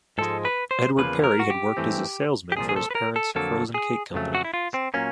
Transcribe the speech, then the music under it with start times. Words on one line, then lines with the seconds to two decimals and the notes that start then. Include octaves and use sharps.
Edward Perry had worked as a salesman for his parents' frozen cake company.
0.18 G#2 F3 G#3 A4
0.45 B4
0.71 C5
0.98 E2 C#3 F3 A#3 B4
1.24 A#4
1.40 F#4
1.50 G4
1.77 G2 E3 A3 C4
2.52 G4
2.56 C2 A#2 F3 G#4
2.69 G#4
2.76 A4
2.91 B4
2.95 A#4
3.16 A4
3.35 F2 D3 F#3 A#3 A4
3.74 G#4
4.14 F2 C#3 F#3 A3
4.35 F#4
4.45 E4
4.54 F4
4.74 C4
4.94 A#2 F#3 A#3 C#4